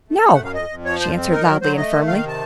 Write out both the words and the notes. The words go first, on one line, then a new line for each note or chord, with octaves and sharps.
"No!" she answered, loudly and firmly.
A3
A3 A4
F#5
F#2
F5
F2 D#5
F2
F3 C#5
F2 C5
C4
D#4 A#4
F#3 A#4
F#3 C5
A3 D#5
D#3
D#3 F5
F5
C3 A5